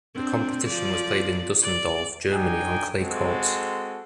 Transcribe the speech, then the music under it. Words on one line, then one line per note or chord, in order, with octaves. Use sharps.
The competition was played in Düsseldorf, Germany, on clay courts.
C4 D4
F3 D5
D5
D4 D#4 G5 G#5
G#3 C4 F#4 A4